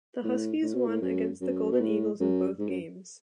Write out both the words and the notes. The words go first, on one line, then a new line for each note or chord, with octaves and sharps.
The Huskies won against the Golden Eagles in both games.
A2
A2
B2
A2
F#2
F#2
B2
A2
F#2
G#2
F#2